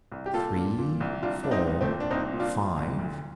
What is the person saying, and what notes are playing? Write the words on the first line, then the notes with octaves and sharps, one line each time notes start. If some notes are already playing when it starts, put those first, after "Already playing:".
"Three, four, five."
C2
G4
A#2 F4 A4
A#2
A#2
C2
C2 D4 F4
C2 D4
C4 D#4
C2
A3 C4
A#2
D4
C2 C4 D#4
A#2
D4 F4
A#2
C2
D2